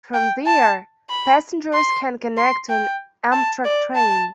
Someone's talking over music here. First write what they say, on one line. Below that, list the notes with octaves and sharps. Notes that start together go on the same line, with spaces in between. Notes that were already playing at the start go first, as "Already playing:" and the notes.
From there, passengers can connect to an Amtrak train.
G5
A5
B5
C6
C6
G5
A5
D5
A5